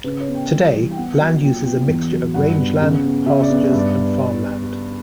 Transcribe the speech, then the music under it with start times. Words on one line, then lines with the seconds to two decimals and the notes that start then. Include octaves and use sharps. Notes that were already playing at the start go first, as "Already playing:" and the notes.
Today, land use is a mixture of rangeland, pastures, and farmland.
0.04 C#3 B4
0.21 C#5
0.28 B3
0.35 G5
0.50 G3
0.73 E3
0.91 G5
0.97 B3 F#5
1.19 F#3
1.43 A#2 G5
1.63 B3 G5
1.88 E2
2.11 F#3
2.34 G2 F#5
2.57 B3
2.81 C#3
3.04 B3
3.26 C#3 E5
3.42 D5
3.50 B3
3.57 D5
3.67 G2 E5
3.78 D5